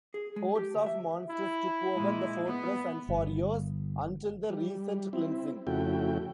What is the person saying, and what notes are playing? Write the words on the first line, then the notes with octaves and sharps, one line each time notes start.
Hordes of monsters took over the fortress and for years until the recent cleansing.
G#4
G#3
G4
D2
E5
E4
A#2 G#3
B3
G1
G3
C4 E4
F2 C#3 A3 E4 F#4 G5